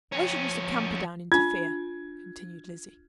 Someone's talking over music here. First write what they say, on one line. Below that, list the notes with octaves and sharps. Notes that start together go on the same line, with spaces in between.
"Why should Mr. Camperdown interfere?" continued Lizzie.
F2 C#4
D4 F4 G#6